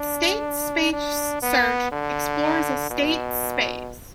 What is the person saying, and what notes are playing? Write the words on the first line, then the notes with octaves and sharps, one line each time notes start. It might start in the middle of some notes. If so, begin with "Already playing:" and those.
State space search explores a state space.
Already playing: D4
D4
B3
D3
B2